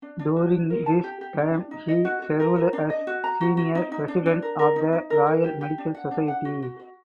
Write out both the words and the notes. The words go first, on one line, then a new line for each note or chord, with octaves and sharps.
During this time he served as senior president of the Royal Medical Society.
D4
D4
F#4
F#4
A#4
A5
G4
G4
D4
D4
D#4
D#5
F#4
F#4
A#4
A#4
D4
D#5
F#4
A#5
F#4
F#4
D#4
D#4
D4
D4
A#4
A#4
D#4
D#4
A#4
A#4
G4
G4
D4
F#5
D4
F#5
F#4
F#4
F#4